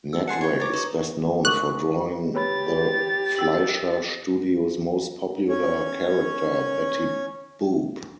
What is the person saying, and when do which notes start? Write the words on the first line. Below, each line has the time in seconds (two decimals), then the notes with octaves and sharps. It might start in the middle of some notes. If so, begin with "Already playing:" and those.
Natwick is best known for drawing the Fleischer Studio's most popular character, Betty Boop.
0.13 E6
0.28 G#4 F#5 G#5 A5 C6 C7 C#7
0.41 C#5 G5 C#6
0.60 A#4 C5 D6 A6
0.73 D#4 B4 C#6 D#6
1.45 A#4 C#6 D6 F#6
2.35 G4 B4 C#5 B5 A6
3.36 G5 E6 F#7
5.49 C#4 C#5